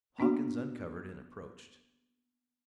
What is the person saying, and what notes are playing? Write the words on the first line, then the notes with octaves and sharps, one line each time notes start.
Hawkins uncovered and approached.
A#3 B3 D4 F#4